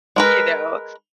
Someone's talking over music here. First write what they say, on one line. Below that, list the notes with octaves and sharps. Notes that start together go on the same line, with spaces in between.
you know.
G#3 A#4 B4